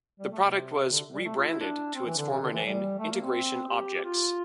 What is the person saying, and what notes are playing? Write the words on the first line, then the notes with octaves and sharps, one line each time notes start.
The product was re-branded to its former name "Integration Objects".
G3
A3
C3
D3
G3
A3
F4
E4
D4
C4
E3
D3
C3
D3
E3
G3
A3
A#3
C4
G4
G4
F4